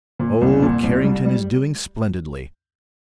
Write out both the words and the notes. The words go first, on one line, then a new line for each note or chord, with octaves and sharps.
Oh, Carrington is doing splendidly!
A#2
C2
A#2
C2
G3
G3